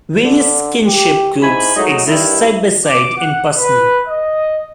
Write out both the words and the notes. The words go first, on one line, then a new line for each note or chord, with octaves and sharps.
Various kinship groups exist side by side in Pasni.
D3
G4
G#2 E4 G#5 B5
F#3 G#3 A3 D#4
G2 D#3 E4
D6
F#5
B4
D#5